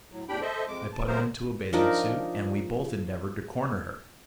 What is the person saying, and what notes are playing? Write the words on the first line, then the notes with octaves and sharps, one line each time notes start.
I put him into a bathing suit, and we both endeavored to corner her.
A2 F#3
E2 A2 D4 G4 G5 B5
A4 C5 D#5 E5
F2 G#3 D6
A5
F3 F#3 A3 B3 A#4 C5
F3 D4 D#4 A#4